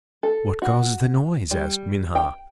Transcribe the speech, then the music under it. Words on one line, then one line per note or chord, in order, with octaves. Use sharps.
"What causes the noise?" asked Minha.
A4
F#4
G3
G5